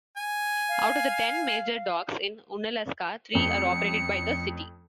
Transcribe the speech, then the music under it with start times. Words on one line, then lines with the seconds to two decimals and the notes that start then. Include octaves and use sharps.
Out of the ten major docks in Unalaska, three are operated by the city.
0.17 G#5
0.69 F5
3.33 F2 A3 C#4 C#7